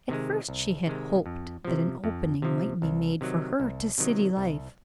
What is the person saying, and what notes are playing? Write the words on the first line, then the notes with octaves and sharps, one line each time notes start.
At first, she had hoped that an opening might be made for her to city life.
C3 D#3 G#3
C2
C3 D#3 G#3
F2
C3 F3
F2
C3 F3
C2
C3 D#3 F#3
C2
C3 D#3 F#3
C2